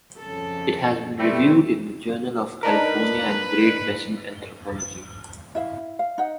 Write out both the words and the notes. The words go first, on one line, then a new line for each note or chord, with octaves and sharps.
It has been reviewed in the Journal of California and Great Basin Anthropology.
F2 C#3 A4
B2 G3 A3 C4 E4
D4 D#4 A#4 B4
E4 E5 F5
F5
D#4 F#5